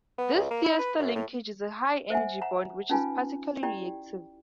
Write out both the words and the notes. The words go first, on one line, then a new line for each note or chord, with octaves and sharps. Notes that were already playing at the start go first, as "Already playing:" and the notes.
This thioester linkage is a "high energy" bond, which is particularly reactive.
B3
C#2
A#3
E4
B4
F#2
A2
C5 E5 F#5 G#5
F#5 A#5
C#4 D#4 F4 B4 G#5
E4 G4 D5 G5